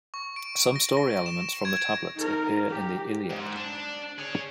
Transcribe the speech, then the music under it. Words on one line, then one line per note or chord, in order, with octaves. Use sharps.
Some story elements from the tablets appear in the "Iliad".
C#6
D7
A#6
A#6
E7
D7
G#6
D#4 A#4
G4
G#2
D4
G#4 C#5